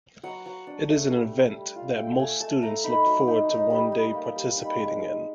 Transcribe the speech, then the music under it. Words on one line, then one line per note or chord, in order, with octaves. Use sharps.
It is an event that most students look forward to one day participating in.
F#3 F#5
F#3
D4
A3
G3
G3
G3
F4
A3 G5
A3 G#5
A3 A5
A3 A#5
D#4 B5
F#3
D#4
D#4
G3
G3
A#3
G3
D#4 B5
G#3
G#3